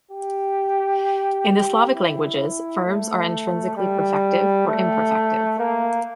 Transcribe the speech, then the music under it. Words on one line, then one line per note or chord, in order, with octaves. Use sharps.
In the Slavic languages, verbs are intrinsically perfective or imperfective.
G4
E4
A3
G3
A3
A#3